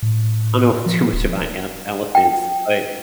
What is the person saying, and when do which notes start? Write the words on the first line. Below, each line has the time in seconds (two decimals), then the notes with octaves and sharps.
I don't know too much about el elephants, but
0.03 A2
0.86 F3
1.13 D1
2.15 G5